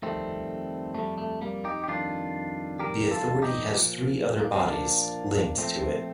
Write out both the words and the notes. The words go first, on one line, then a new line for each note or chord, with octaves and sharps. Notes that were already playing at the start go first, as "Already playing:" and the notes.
The authority has three other bodies linked to it.
F2 D#3 G3 A3 C4
F2 D#3 G3 A3
A3
G3 A#3
D#4 G4
G4
F2 D#3 G3 D4 F4
F2 D#3 G3 G4 A#4
F4 A4
D#4 G4
A#2 F3
A#3
C4
A#2 F3 A#3 D4
A#2 F3 A3 C4